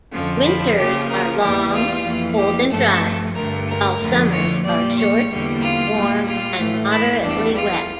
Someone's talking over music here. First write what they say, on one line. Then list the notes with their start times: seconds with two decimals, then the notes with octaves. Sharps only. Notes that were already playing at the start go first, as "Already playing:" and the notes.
Winters are long, cold and dry, while summers are short, warm and moderately wet.
0.12 F2 D3 F3 C#4
0.45 E4
0.78 C#3 F3 A#3 G4
1.09 A#4
1.41 E2 E3 G3 A#3 G4
1.74 F4
2.06 F2 E3 A#3
2.38 G4
2.71 G2 F3 A3 A4
3.35 G2 D3 A3 A#4
3.67 A#4
4.00 F2 D3 F3 A3
4.32 C#5
4.64 A#2 G3 A#3 D5
4.97 C#5
5.29 E2 D3 G3 A#3
5.61 F4
5.93 A#2 G3 A#3
6.26 F4
6.58 A2 E3 A3
6.90 E4
7.23 E2 E3 G3 D4
7.55 F4